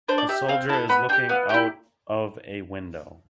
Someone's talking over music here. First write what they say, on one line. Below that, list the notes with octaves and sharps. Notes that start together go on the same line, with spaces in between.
A soldier is looking out of a window.
D4 C5
D5
G4 E5
C4 F5
E4 A4 A5
B3 B5
D4 G5
G4
B3 F5
E4 G4 G5